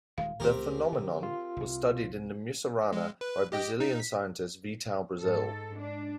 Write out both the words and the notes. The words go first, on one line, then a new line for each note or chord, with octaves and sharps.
The phenomenon was studied in the mussurana by the Brazilian scientist Vital Brazil.
D#1 D#3 G#3 F5
C#2 A3 C4 G4 A#4
D3
F4
C2 C3
G#3
B4
G4 D#5 G5
D#4
B6
G#2 A4
D4